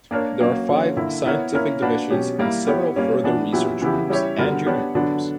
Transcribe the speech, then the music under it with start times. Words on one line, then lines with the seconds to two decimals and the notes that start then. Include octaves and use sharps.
There are five scientific divisions and several further research groups and junior groups.
0.11 A#3 D4 A#4 C#5
0.39 F#3 A#3 C#4
0.69 D3 F#3 A#3 C#4
0.97 D3 A#3 E4
1.25 B3 E4 A#4 C#5
1.54 A#3 C#4 E4 A#4
1.82 A#3 D4 F#4 B4
2.10 B2 F#3 C#4 G4
2.39 G3 A#3 E4 A#4
2.67 B3 E4 G4 C#5
2.96 G3 A#3 C#4
3.24 E3 B3 D4 F#4
3.53 A#2 F#3 B3 E4 G4
3.81 C#3 E3 B3 E4 G4
4.10 G3 C#4 E4 G4 C#5
4.38 D3 G3 B3 F#4 A#4
4.66 B3 D4 G4 C#5
4.95 D3 F#3 B3 D4